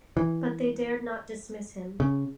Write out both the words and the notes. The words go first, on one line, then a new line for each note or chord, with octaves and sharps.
But they dared not dismiss him.
E3
C#3